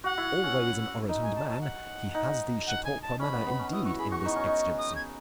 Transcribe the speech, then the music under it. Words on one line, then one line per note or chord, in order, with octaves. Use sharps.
Always an orotund man, he has the Chautauqua manner indeed in this exigency.
F#4 F#5
E4
C#4
D#4
G#5
A5
A5
F#5
D#4
F#5
G#5
A5
C#4 B5
B3
B3
C#4
E4 D#6
F#4 C#6
G#4 B5
F#4 C#6
D#4
C#4
D#4
D#6
G#6